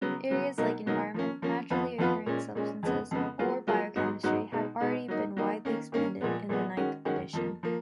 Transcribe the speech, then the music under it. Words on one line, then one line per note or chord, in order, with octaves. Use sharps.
Areas like environment, naturally occurring substances or biochemistry have already been widely expanded in the ninth edition.
C#3 F#3 B3
C#3 F#3 B3
B2 F#3 A#3 D#4 A#4
B2 F#3 A#3 D#4 A#4
F3 A#3 C#4
F3 A#3 C#4
F2 F3 B3 F4 B4
F2 F3 B3 F4 B4
A#2 G#3 C#4
A#2 G#3 C#4
F2 C#3 G#3 B3
F2 C#3 G#3 B3
F#3 A#3 F4 G#4
F#3 A#3 F4 G#4
G#2 F#3 B3 D#4 F#4
G#2 F#3 B3 D#4 F#4
B2 G#3 D#4
B2 G#3 D#4
F#3 A#3 D#4
F#3 A#3 D#4
D#3 A#3 C#4
D#3 A#3 C#4
A#2 F3 G#3 B3
A#2 F3 G#3 B3
D#3 G#3 C#4 F#4
D#3 G#3 C#4 F#4
F2 F3 A#3
F3 A#3